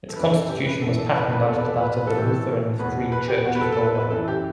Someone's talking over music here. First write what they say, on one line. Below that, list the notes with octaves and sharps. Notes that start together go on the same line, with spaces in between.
Its Constitution was patterned after that of the Lutheran Free Church of Norway.
A4
F#2 E3 B4
A4
G4
B4
F#2 E3 A4
A4
B4
B4
E2 B2 A4
B4
A4
B4
B4
A4
A2 E3 G4
A4
E2 B2 B4
B4
G4
E2 B2 F#4
B4
A4
A4
B4
B4
F#2 E3 A4
G4